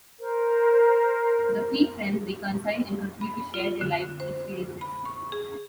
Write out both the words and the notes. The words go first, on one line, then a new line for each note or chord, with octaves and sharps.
The three friends reconcile and continue to share their lives and experiences.
A#4 C5
B5
F4
D3
C5
B5
C#6
G#4